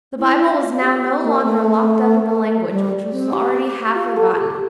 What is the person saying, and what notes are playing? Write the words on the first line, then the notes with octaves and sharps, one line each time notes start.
The Bible was now no longer locked up in a language which was already half-forgotten.
E4
F4
G4
A#3
A3
G3
C4
G4
G4
F4
A4
G4